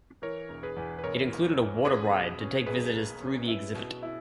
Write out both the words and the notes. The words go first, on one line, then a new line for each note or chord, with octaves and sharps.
It included a water ride to take visitors through the exhibit.
E3 A#4 C#5
E1
G#4 B4
E2
B4
E1 A#4 C#5
E3
E3
C#4 G#4 B4
B2
C#4
B1 G#4 B4
A#3
C#4
E4
B2
E4